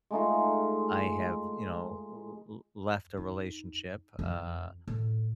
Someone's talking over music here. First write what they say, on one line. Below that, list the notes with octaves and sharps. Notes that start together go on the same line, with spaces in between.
I have, you know, l l left a relationship, uh,
G#3 A3 D#4 F4
D#4
F2
A2